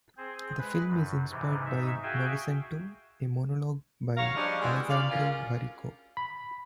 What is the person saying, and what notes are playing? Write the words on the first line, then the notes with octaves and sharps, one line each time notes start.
The film is inspired by "Novecento", a monologue by Alessandro Baricco.
C4 G#4 C5
G#3 B4
F#2
G#2 C3 E3
G#2 D#4 E5
F#4 G#4 E5 F5 G5 G#5
F#3 A#3 A#4 C#5 F5
F3 G3 G#3 C#4 D4
G3 G#3 B3 E4 F#4 G4
D2 D5 F5
G#3 C#4 F4 A#4
B5